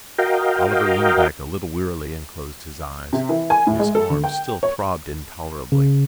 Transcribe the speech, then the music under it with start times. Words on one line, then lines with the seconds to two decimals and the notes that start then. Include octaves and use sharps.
Oliver leaned back a little wearily and closed his eyes; his arm still throbbed intolerably.
0.19 F#4 A#4 D#5 F5 G5
3.13 C3
3.29 E3
3.50 G#5
3.67 A2
3.79 G#3
3.95 A4
4.10 D3
4.24 G5
4.63 C#5
5.72 C#3